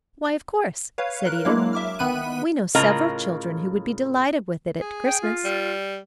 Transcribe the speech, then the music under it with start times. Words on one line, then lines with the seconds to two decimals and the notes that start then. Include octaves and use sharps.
"Why, of course," said Edith, "we know several children who would be delighted with it at Christmas."
0.98 B4 C#5 F5
1.25 A#4 F#6
1.45 F#3 G#3 A#3 D4 E4 F5
1.73 E5 D6 F6
1.99 D#3 B3 B5 F#6 D#7
2.75 A2 C#3 F4 A#4 D#5 A#5
4.81 G#4
5.04 G5
5.21 F4
5.44 G3